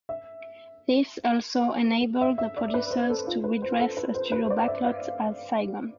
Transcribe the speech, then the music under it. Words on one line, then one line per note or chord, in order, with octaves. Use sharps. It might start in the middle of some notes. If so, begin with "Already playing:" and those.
This also enabled the producers to re-dress a studio backlot as Saigon.
E5
E5
E5
D5
B4
C5
A4
F4
B4
C5
A4
B4
C5
B4
C5
D5
E5
F5